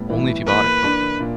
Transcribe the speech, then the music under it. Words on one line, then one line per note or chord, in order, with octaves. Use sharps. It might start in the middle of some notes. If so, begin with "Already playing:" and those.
Only if you bought it. Okay.
Already playing: A2 G3 B3
E3
A#3 B4
D4
A#2